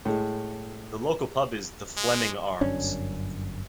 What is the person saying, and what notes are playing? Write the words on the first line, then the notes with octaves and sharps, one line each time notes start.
The local pub is "The Fleming Arms".
A2 G#3
G#3
G1 F#2 C#4 D4